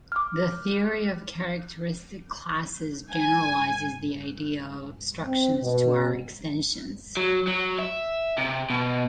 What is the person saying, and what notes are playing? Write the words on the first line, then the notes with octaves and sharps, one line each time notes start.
The theory of characteristic classes generalizes the idea of obstructions to our extensions.
D6 F6
G#5
C4
B2
F#3
F#3
E5
C3
B2